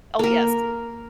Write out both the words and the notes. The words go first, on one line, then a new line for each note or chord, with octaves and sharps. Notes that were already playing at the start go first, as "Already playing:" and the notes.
Oh, yes.
A#3 A#4